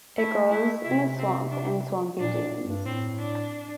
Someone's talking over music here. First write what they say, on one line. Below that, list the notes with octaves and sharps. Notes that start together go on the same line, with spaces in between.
It grows in the swamp and swampy dunes.
A3 E4
E4
C3 E4
C4
D4
A#2 D4
G2
A2 C4
D4